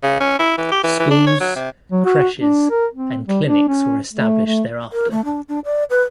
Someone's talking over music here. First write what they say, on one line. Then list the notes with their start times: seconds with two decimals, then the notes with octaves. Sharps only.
Schools, creches and clinics were established thereafter.
0.03 C#3
0.20 C#4
0.39 E4
0.58 E3
0.72 G4
0.84 E3
0.99 E3
1.11 D4
1.27 C#5
1.40 F#3
1.56 C3
1.92 F#3
2.05 F#4
2.40 D4
2.70 A#4
2.93 C4
3.27 G3
3.46 D4
3.68 C#4
4.13 A3
4.46 A3
4.92 A#4
5.11 A3
5.25 D4
5.48 D4
5.65 D5
5.90 B4